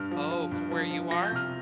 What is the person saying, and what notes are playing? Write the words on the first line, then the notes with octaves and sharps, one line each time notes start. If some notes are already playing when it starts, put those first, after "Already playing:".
Oh, from where you are?
Already playing: G2 F6
F3
F3
G2
F3
F3
F3 A#6
G6
C3 F6